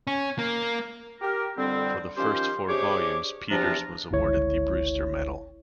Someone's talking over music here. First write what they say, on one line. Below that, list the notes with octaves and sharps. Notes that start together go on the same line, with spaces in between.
For the first four volumes Peters was awarded the Brewster Medal.
C#4
A#3
G4 A#4
F2 D3 G3 C4
D#3 F3 C#4 G4 C5
C3 D4 G4 G#4 C#5 D6
E2 C3 F3 D4 F4 A#5
G1 C#2 E4 C#5